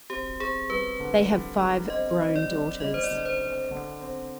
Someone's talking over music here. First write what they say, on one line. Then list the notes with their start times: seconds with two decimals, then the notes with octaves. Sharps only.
They have five grown daughters.
0.10 C4 G4
0.40 C4 G#4
0.70 G3 B4
1.00 D3
1.30 G3
1.60 G3
1.90 C4 D#5
2.20 C4
2.36 D5
2.50 G3
2.80 G3 D#5
2.94 C5
3.03 D5
3.11 D3
3.25 C5
3.41 C4
3.71 D3
4.01 C4